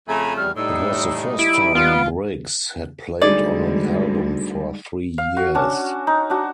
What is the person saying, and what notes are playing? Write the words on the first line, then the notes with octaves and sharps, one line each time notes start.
It was the first time Briggs had played on an album for three years.
F2 C#3 A3 G#5 A#5 B5
E2 G3 F6
A2 G3 D#4 E6
E4 D7
B3 F4
D2 D3 G3 G#3 D#4 G#4 D5 D#5
F5
F#4
C#4 D4 F#4
D#4
D4 F#4